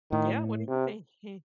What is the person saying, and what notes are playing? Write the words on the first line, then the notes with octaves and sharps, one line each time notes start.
Yeah, what do you thinking?
A2 D#3
C3